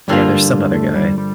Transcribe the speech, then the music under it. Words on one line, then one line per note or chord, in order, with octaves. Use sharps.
Yeah, there's some other guy.
G2 D3 F3 G3 A#3 F4
A3
G3
G3